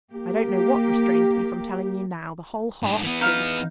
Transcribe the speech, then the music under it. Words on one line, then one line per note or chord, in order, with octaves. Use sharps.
I don't know what restrains me from telling you now the whole harsh truth.
A#3 G4
G#2 D4
E3 B3
D#4 F5